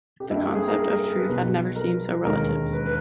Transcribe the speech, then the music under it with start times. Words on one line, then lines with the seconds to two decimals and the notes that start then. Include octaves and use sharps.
The concept of truth had never seemed so relative.
0.20 G4
0.30 G2 G3 A#3 E4
0.43 G4
0.55 G#4
0.67 A#4
0.79 A#4
0.91 A#4
1.04 A#4
1.15 B4
1.27 B1 B2 G3 B4
1.75 A#4
2.24 E1 D#2 D#3 G#3 A#4
2.73 B4
2.85 B4